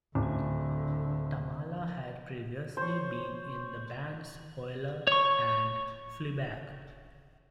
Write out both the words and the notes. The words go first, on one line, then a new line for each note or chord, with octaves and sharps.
Tamala had previously been in the bands Oiler and Fleabag.
D1 D3
C5 C#5
C#5 C#6